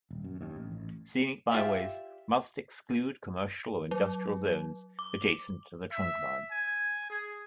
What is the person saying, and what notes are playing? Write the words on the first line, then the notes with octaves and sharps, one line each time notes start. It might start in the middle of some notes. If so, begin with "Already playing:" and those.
Scenic byways must exclude commercial or industrial zones adjacent to the trunkline.
D#1
F#2
D#2
A1
A1
F4 G4 D5 E5
F#3
D6
E5
G#5
G#4